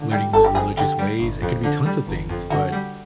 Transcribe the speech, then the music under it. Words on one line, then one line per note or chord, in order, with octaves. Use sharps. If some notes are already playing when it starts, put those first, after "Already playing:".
learning my religious ways, it could be tons of things, but
Already playing: D3
G3 G4
G1 A4
G4
F2 G#4
D3 G4
G3
G1
F2
D3
G3
G1
F2
D3 F#4
G3